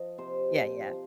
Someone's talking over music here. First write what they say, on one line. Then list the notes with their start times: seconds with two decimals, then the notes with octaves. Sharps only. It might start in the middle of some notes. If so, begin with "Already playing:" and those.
Yeah, yeah.
Already playing: F3 D#5
0.18 C3 C5
0.52 F3
0.86 F3